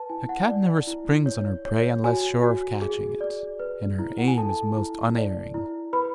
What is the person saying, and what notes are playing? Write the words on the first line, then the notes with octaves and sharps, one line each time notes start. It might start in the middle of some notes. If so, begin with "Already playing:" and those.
A cat never springs on her prey unless sure of catching it, and her aim is most unerring.
Already playing: B4 A5
E4 G#5
F#5
D5
E4
C#5
C#5
F#4 G#5
F#4
G#4
D5
B4
E4
F#5
G#5
A4 A5
E4
D5
E4
B4 B5